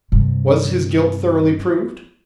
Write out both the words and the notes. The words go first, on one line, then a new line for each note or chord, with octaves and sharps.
Was his guilt thoroughly proved?
G2 C3